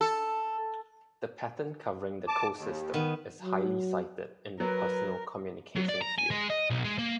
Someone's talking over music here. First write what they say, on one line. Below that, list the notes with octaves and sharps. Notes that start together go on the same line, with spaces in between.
The patent covering the CoSystem is highly cited in the personal communication field.
A4
A5 D6
D#2
D#3 B3
F#3
F#3 A#4 B4
F#3
D5
A#5
G#5
G#3
D#5
B1
G#3
A#3